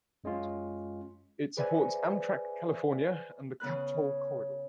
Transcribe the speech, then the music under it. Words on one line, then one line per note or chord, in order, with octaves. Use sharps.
It supports Amtrak California and the "Capitol Corridor".
F#2 G#3 C#4 F4
G#4 B4 C5 D5 E5 G#5
C#3 B3 B4 F#6